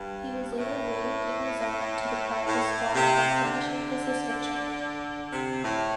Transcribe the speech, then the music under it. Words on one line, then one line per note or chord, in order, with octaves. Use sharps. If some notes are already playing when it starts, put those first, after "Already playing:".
He was later waived and resigned to the practice squad upon finishing his suspension.
Already playing: G2
A2
A2
C3
D3
C3
A2